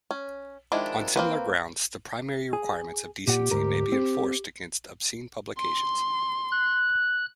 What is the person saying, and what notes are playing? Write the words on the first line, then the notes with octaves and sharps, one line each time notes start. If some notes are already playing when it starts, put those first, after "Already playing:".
On similar grounds, the primary requirements of decency may be enforced against obscene publications.
C#4
D#3 F3 G#3 D4 E4
A#3 C4 B4
G#4
A#2 G4 F#5
D2 G#2 A#4
C4
C6
F#6